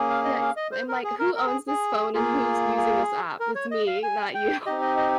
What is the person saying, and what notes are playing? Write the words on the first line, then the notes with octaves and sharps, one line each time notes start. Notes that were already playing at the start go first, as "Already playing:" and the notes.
Yeah, it's I'm like, "Who owns this phone and who's using this app? It's me, not you."
Already playing: A#3 C#4 G#4
F5
D#5
F5
D#5
C5
A#4
G#4
A#4
A#4
G#4
G#4
A#3 F4 G#4
G#4
A#4
C#5
D#5
F5
G#5
G5
C4 D#4 G4 D#5
D#5
D#5